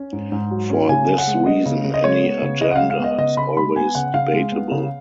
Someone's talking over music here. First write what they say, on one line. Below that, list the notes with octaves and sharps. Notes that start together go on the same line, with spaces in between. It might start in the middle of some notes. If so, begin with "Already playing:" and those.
For this reason, any agenda is always debatable.
Already playing: C#4
G#2
G#2
F#3
C#4
C#3 G#5
C#3
F#5
G#3
B3 D#5
C#3
C#3
D#5
G#3 C#5
B3
C#3
C#3 D#5
F#5
G#3 F5
F5
B3 D#5
C#3 D#5
C#3 B5
G#3 B5
B3 G#5
C#3 F#5
C#3 F5
G#3
B3
C#3